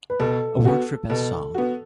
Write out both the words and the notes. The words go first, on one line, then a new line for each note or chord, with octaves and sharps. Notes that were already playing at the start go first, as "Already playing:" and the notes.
Award for Best Song.
B4
B2 A4
B3 F#4
B2 A4
B3 F#4